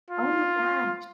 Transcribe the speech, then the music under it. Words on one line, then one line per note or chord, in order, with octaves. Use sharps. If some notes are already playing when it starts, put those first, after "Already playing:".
Oh my gosh.
F4